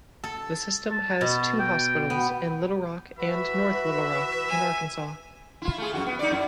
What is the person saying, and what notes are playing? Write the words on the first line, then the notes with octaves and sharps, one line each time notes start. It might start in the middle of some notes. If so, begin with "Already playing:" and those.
The system has two hospitals in Little Rock and North Little Rock in Arkansas.
A4
A5
B2
G5
B3
E3 F#4 B4 E5 B5
G#5
E4 F4
A3 G#4
F#2 A#2 F#4
B3
D#4 D5
F#2 E4